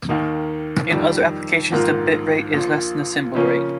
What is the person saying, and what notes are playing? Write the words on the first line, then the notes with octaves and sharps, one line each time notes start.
In other applications, the bit rate is less than the symbol rate.
D#2 D#3 A#3 D#4
F2 D#3 G3
A#1 G#2 D#3 A#3 F4
A#1 A#2 F3
C#3 F3 A#3 C#4 F4